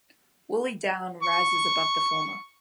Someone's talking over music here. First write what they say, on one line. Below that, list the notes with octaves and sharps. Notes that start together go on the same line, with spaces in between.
Woolley Down rises above the former.
C#6